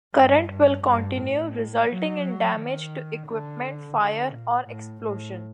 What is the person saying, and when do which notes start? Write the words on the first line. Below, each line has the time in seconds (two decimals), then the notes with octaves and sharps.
Current will continue, resulting in damage to equipment, fire or explosion.
0.14 G2
0.49 G2
0.84 G2
1.19 A2
1.89 F#3
2.57 D#3
3.27 D3
3.97 D3
4.32 A#2
4.67 A2
5.02 A2